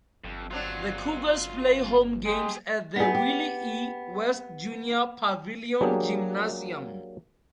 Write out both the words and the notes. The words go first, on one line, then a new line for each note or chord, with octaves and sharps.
The Cougars play home games at the Willie E. West Junior Pavillion Gymnasium.
G1 F2
F#3 C4 D4 F4 F#5
G#3 G4 G#4
B3 D#4 G#4
G4
F#3 A#3 D4 G4 G#4